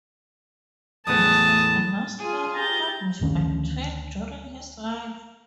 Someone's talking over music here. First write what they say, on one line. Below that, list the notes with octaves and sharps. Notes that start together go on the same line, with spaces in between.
This was the last story published by Twain during his life.
E2 A2 B3 A5 D#6
F4 G#4 G#5
G4 A#5 G6 A6
D2 D#3 C4 C#4